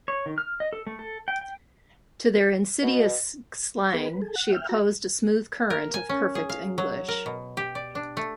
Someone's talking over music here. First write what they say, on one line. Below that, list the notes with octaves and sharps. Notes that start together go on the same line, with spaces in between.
To their insidious slang she opposed a smooth current of perfect English.
C#5
D#3
F6
D#5
A4
A3
A4
G5
G5
B2
B3 G#4 B4
B4
G#4 A4
F#5
E5 G5 F6
F#4 A#5
A#4
G#5
C#4
G#4
F5
F#3
A#4
B2
G4
D5
D4
A3